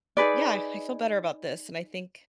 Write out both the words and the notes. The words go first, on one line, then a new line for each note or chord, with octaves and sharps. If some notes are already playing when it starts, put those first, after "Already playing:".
yeah, I feel better about this, and I think
D#4 G#4 B4 D5